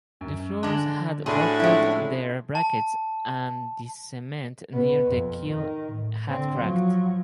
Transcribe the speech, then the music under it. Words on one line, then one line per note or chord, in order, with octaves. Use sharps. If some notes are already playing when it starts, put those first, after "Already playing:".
The floors had buckled their brackets and the cement near the keel had cracked.
F#2
D3 G#3 D4
A2 D4 F#4 G#4 D5 B5 C6
F3 G#3 C4 C#4 E4
A5
B2 B3
F2
D#3
A2
D3 C4
F3 F#3